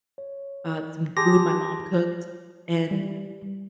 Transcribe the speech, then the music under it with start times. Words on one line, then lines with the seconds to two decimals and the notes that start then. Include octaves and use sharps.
uh, some food my mom cooked. And
0.18 C#5
1.17 G4 G#4 A5 C6 D6 A#6
2.91 G3